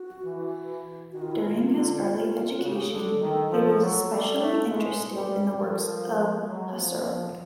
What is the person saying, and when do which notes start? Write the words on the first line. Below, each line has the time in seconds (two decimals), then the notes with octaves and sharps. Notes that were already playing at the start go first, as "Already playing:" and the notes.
During his early education, he was especially interested in the works of Husserl.
Already playing: F#4
0.24 E3
1.12 D#3 F#4
1.22 F4
1.31 E4
1.41 D#3 F4
1.72 D3
2.02 C3
2.48 F4
2.59 C#3 F#4
2.69 G4
2.80 G#4
2.90 D3 A4
3.20 D#3
3.50 F3
3.80 F#3
4.10 G3
4.39 A3
4.69 G#3
5.14 G3
5.58 F3 A#4
5.67 A4
5.77 A#4
6.47 F#3
6.77 F3
7.07 F3